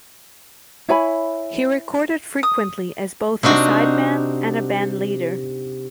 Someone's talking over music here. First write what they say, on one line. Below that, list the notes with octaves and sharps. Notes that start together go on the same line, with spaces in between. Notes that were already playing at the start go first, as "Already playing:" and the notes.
He recorded frequently as both a sideman and a bandleader.
E4 C#5 G#5 B5
D#6
C3 D4 D#4 F#4